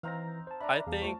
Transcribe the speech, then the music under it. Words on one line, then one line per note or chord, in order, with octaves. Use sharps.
I think
E3 C4 D#4 F5 A#5 A#6
C5 A5
D4 D5 E5 A#5 B5
E2 G#4 F5
A3 F4 C5 C#5 A5